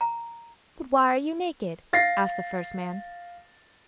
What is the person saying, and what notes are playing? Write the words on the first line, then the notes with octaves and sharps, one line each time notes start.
'But why are you naked?' asked the first man.
A#5
F5 A6 A#6 C7